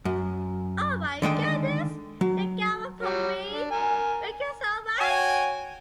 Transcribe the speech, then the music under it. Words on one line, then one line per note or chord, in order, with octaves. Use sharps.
Oh my goodness! You got one for me! Thank you so much.
F#2
D3 D#3 G#3 G5
F#3
F#3 G3
D4
A#4 G#5
F#4 C#5 G5 G#5